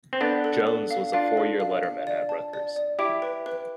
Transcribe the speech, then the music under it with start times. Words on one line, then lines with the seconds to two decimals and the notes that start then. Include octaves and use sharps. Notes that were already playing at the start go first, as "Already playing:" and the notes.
Jones was a four-year letterman at Rutgers.
0.13 C4
0.21 B3 D4 A4
0.44 A4
0.67 A4
0.91 F5
1.13 D4 F4 F5
1.37 A4
1.60 F5
1.83 F5
2.07 D5
2.29 A5
2.53 D5
2.76 D5
2.99 E4 G4 D6
3.22 B4
3.46 B4